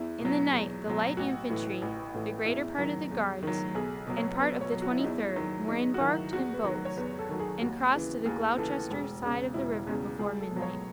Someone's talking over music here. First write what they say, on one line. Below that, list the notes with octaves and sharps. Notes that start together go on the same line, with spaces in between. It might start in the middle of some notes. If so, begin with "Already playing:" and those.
In the night the light infantry, the greater part of the guards, and part of the Twenty-third were embarked in boats and crossed to the Gloucester side of the river before midnight.
Already playing: E2 E4
B2 F#3
E2
B2 F#3
A1 F#4
A2 E3
A1
A2 E3
E2 E4
D#3 F#3
E2
D#3 F#3
B1 G#4
B2 F#3
C#5
B1 B4
C#5
B2 F#3
F#4
E4
D#4
E2 E4
D#3 F#3
E2 D#4
F#4
D#3 F#3 E4
E2 F#4
B4
D#3 F#3
C#5
E2 B4
A4
D#3 F#3
G#4
D#2 F#4
C#3 E3
D#2 G#4
C#3 E3 A4
E1 G#4
E2 C#3
E1 E4
E2 C#3
C#2 G#4
A4
B2 F#3
C#5